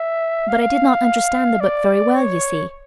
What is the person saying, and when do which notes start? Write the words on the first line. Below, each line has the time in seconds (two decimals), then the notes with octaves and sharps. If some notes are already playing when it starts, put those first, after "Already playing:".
But I did not understand the book very well, you see.
Already playing: E5
0.49 F5
1.60 D5
2.16 C#5